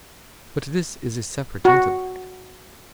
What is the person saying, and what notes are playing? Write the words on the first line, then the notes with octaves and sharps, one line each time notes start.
But this is a separate intellect.
F#4